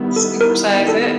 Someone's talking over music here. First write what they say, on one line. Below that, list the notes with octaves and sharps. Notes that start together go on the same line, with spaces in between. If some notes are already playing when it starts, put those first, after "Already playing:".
Supersize it.
Already playing: D#3 G3 B3 E4
A4
A#4
A4